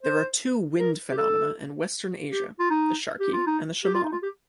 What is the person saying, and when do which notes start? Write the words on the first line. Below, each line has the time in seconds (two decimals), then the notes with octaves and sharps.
There are two wind phenomena in Western Asia: the "sharqi" and the "shamal".
0.03 C5
0.79 A#4
1.12 G4
1.17 A4
2.32 G4
2.59 F4
2.70 D#4
3.20 G4
3.33 F4
3.47 D#4
3.85 G4
3.94 F4
4.03 D#4
4.12 F4
4.23 G4